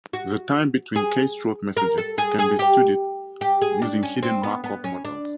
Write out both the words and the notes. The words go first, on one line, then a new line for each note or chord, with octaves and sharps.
The time between keystroke messages can be studied using hidden Markov models.
F#4
G#4
A#4
A4
G#4
G#4
G4
G4
G#4
D4
C#4
C4
B3
B3
C#4
D4